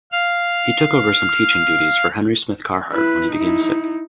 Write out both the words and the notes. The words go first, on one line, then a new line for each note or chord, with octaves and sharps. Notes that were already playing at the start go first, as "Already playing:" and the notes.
He took over some teaching duties for Henry Smith Carhart when he became sick.
F5 F6
E4 B4
D#4 E4